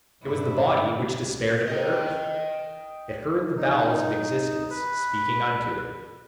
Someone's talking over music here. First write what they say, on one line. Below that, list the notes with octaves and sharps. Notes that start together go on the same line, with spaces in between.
It was the body which despaired of the earth--it heard the bowels of existence speaking unto it.
G2 D3 E4 B4
D#5 G5
D#4
B4